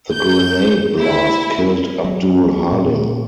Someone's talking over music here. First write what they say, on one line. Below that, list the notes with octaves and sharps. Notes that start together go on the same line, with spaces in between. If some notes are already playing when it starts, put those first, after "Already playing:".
The grenade blast killed Abdul-Halim.
G6
E4
F#3
A#2